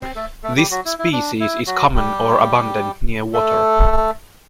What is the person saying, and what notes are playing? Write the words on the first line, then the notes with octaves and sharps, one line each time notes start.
This species is common or abundant near water.
C4 C5
A3 A4
A3 A4
G3 G4
F#3 F#4
E4
E4
D4
E4
F#3 F#4
G3 G4
A3 A4